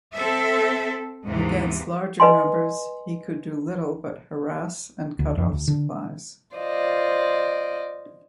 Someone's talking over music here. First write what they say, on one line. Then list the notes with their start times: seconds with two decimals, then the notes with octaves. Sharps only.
Against larger numbers he could do little but harass and cut off supplies.
0.13 C4 A4 E5
1.24 D#2 G#2 C3 E3
2.20 B4 D#5 G#5 C6
5.19 D2
5.37 F2
5.52 D2
5.68 D3
6.56 F4 C5 D5 D#5